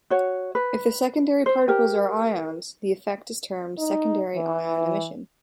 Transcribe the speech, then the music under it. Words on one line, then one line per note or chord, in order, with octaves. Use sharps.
If the secondary particles are ions, the effect is termed secondary ion emission.
F#4 C#5
B4
C5
G4 A#4
D#4
E3